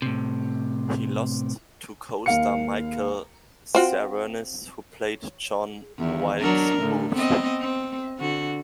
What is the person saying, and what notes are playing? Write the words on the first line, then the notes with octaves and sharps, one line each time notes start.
He lost to co-star Michael Cerveris who played John Wilkes Booth.
A2 C3
D#2 F5 C#7
C4 F4 F#4
E2 D#3
F#3 D4 A#4
A2 D3
B3 C4 D#5
C4
D3 F#4